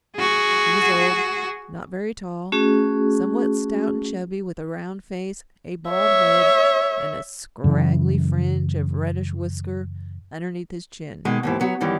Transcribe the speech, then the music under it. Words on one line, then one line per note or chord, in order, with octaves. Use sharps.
He was old, not very tall, somewhat stout and chubby, with a round face, a bald head and a scraggly fringe of reddish whisker underneath his chin.
F#4 G#4
A3 C#4 F#4 G#4
C#5 E5
F#2 C#3 E3
B2 D#3 G#3
D#2 G#2 E3
F#3 B3
F#2 D#3 E3 G3